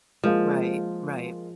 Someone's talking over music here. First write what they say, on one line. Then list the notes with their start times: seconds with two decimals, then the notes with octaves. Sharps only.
Right, right.
0.24 F3 G#3 A#3 F4